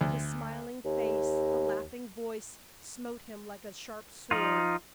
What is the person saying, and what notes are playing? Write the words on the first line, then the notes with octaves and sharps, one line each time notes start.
The smiling face, the laughing voice, smote him like a sharp sword.
D2
D#2
F3 D#4 F4